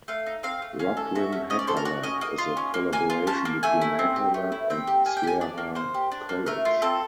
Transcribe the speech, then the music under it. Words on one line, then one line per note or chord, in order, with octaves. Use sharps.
Rocklin Hacker Lab is a collaboration between Hacker Lab and Sierra College.
A3 F5
D#4
C4 F5
A3
C#4 F5
A4
F#4 E5
C#4
C#4 D#5
D5
A4 C5
A#4
F#4 D5
C#4 D#5
A#3 D#5
F4
C#4
A#3
A#3 G#5
F4
C#4 A5
A#3
A3 G#5
E4
C4
G4
A3
E4
C4 G5
G4
A#3 G#5
G5
G4 G#5
D4 D5
A#3
A#3 C5
G4
D4
A#3
A3 A#4
F4
C4 A4